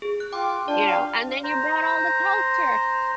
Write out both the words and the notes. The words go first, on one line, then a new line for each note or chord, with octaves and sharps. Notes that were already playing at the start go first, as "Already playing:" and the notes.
you know, and then you brought all the culture.
G#4
F#6
F4 G5 D6
D4 F4 D5
G4 F5
C5 A#5